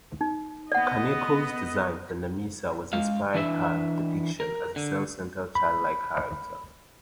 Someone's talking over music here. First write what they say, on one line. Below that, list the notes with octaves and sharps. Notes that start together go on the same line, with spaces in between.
Kaneko's design for Nemissa was inspired her depiction as a self-centered childlike character.
D#4
B3 D5 D#5 F#5
G#3 F5
E3 D4 B4 E5
A#4
D3
B5